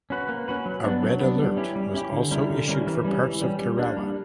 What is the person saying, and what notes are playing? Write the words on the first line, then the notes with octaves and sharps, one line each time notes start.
A red alert was also issued for parts of Kerala.
C#4 F#4 B4
A#3
C#4 F#4 B4
F#3
B3 D4
F#3
B3 D4
G3
C#4 E4 G4
G3
C#4 E4 G4
D3
G3 C#4 E4 A#4
D3
G3 C#4 E4 A#4
E3
G3 C#4
E3
G3 C#4
G3
A#3 D4
G3